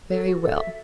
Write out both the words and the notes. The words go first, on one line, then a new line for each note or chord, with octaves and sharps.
'Very well.
A4
F#4
A4
E5